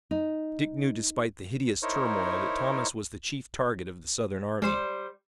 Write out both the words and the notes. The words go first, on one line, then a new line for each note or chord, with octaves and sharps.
Dick knew despite the hideous turmoil that Thomas was the chief target of the Southern army.
D#4
D#4 E4 A#4 C5 C#5
G3 G#3 C5 D#7